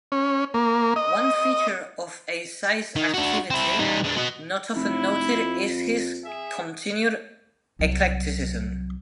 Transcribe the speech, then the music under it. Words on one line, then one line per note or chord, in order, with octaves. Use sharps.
One feature of Eisai's activity not often noted is his continued eclecticism.
C#4
A#3
D#5
D#3
D4 F#4
C4 E4
G3 D#4
G#3 D4
F#4 D#5
F1 E4
F2
G#4 E5
C2 F#3